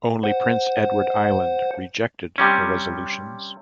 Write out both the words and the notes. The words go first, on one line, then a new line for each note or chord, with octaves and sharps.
Only Prince Edward Island rejected the resolutions.
C5 F#5
C3 G3 C#4